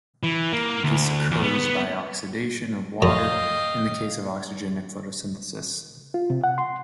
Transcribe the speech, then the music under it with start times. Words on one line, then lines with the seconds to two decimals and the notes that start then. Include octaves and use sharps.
This occurs by oxidation of water in the case of oxygenic photosynthesis.
0.23 E3
0.53 A#3
0.84 D2
1.31 E2
1.43 B3
3.02 F#2 D3 D#5 F5 G5
6.14 F4
6.30 C3
6.44 F#5
6.58 C6